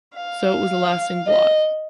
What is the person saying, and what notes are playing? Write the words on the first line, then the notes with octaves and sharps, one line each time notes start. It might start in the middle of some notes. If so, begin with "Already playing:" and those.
So it was a lasting blot.
F5
D#5